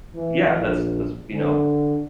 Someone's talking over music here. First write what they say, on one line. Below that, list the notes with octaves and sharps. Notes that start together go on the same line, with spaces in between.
yeah, that's that's, you know,
E3
A#1
D3